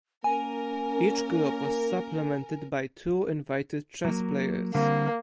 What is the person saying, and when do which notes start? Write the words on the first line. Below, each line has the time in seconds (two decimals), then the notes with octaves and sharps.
Each group was supplemented by two invited chess players.
0.24 A#3 C#4 A#4 G#5
4.05 F#3 A#3
4.75 D3 G3 A#3 C4